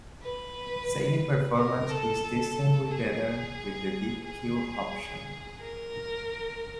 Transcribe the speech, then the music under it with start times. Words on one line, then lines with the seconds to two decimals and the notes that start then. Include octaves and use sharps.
Sailing performance is distinctly better with the deep keel option.
0.22 B4
1.56 A#4
1.90 A4
2.23 A4
2.91 G#4
4.25 G#4
5.60 A#4